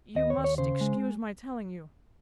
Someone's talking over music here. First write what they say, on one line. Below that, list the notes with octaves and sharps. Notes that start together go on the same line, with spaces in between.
'You must excuse my telling you.
D#2 D#5
C#5
D#2
C#5
C#3 C5
G#3